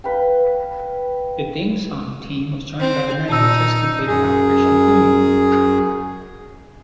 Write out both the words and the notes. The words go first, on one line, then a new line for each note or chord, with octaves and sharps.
The Dingson team was joined by the men who had just completed Operation Cooney.
B4 F5 G5
C4
A#2 D#4 A5 E6
F#2 G#4